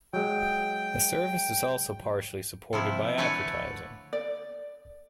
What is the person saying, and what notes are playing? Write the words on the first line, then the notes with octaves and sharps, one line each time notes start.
The service is also partially supported by advertising.
F#3 G#3 G5
C3 F3 E4
D3 A3 B4 C#5 D5 G#5
D5